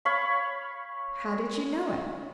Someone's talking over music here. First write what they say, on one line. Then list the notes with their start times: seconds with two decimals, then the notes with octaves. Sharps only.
"How did you know it?"
0.05 C#5 F5 B5 C#6